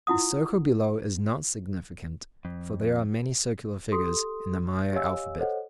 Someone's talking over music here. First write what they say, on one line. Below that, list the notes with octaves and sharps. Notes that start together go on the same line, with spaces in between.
The circle below is not significant, for there are many circular figures in the Maya alphabet.
E4 F4 F#5 D#6
F2
G4 A4 C6 D#6
G4 C#5 D#5 F5 G#5 E6
A4 C5 C#5 D#5 F#5